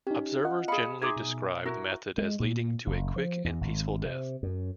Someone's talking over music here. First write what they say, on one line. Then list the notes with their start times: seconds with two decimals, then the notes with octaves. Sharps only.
Observers generally describe the method as leading to a quick and peaceful death.
0.07 C#4 D#4 G4
0.45 F4 D#5 F#5
0.68 G#4 D#5 F5 B5 C#7
1.02 D#4 G#4 E5 C6 D6 G#6
1.17 B2
1.66 E4 F#4 A#4
2.18 G#3
2.40 A#2
2.87 F#1
3.16 F3
3.44 E2
3.61 G#1
4.05 C3
4.43 F#2